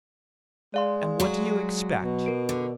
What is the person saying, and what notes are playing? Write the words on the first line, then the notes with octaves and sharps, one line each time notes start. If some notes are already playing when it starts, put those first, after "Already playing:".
"And what do you expect?"
G#3 D5 F5 C6
F#3 F#4
B2
A#4 D7
D3